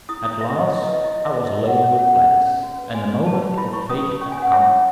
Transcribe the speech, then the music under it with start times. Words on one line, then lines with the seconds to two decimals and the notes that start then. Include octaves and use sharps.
At last I was alone with Gladys, and the moment of Fate had come!
0.09 E4 D#6
0.24 E4 D#6
0.40 B4 E5
0.56 E4 D#5
0.72 E4 D#5
0.83 D#5
0.88 B4
0.93 D#5
1.04 E4 D#5
1.14 D#5
1.20 E4 E5
1.35 D#4 E5
1.46 D#5
1.52 D#4
1.57 E5
1.67 G#4 F#5
1.83 C#5
1.99 C#4 F#5
2.15 C#4 F#5
2.30 C#4
2.46 C#4
2.63 F#4
2.79 B4
2.94 F#4 G#5
3.10 F#4
3.26 B4 A5
3.42 B4
3.58 E4 B5
3.73 E4 C#6
3.90 C#4 D#6
4.05 B4
4.21 C#4 C#6
4.32 G#5
4.37 C#4
4.42 F#5
4.53 C#5 E5
4.68 E4